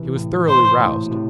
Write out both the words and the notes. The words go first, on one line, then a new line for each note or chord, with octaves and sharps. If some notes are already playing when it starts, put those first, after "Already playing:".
He was thoroughly roused.
Already playing: C3 E3
A2
G#2 C5
A2
B2
A2 C3